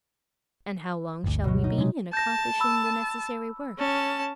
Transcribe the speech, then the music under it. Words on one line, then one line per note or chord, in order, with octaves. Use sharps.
"And how long shall we be in accomplishing the necessary work?"
G1 D2
B2 F#3
D#4
C3 G#3
A5 G6 A#6
B5 E6
C#4 A5